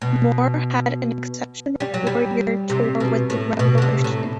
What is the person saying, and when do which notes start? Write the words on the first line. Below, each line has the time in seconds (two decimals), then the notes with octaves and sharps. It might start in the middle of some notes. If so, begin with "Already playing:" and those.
Moore had an exceptional four-year tour with the Revolution.
0.02 B2
1.80 G3
1.94 F#3
2.07 G3
2.70 C3
3.00 B2
3.30 A2
3.59 B2
3.78 D3
3.82 C3
4.04 A2